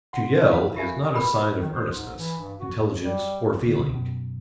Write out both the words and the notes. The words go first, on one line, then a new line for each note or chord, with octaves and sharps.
To yell is not a sign of earnestness, intelligence, or feeling.
F#5 C6
F5
F4 G4 A#4 E5 F5 G#5
D4 G4 G#4 A#4 B4 B5
D#3
C5
G#2
E3
G2
F#4
G3
B2 D3
F#2 B2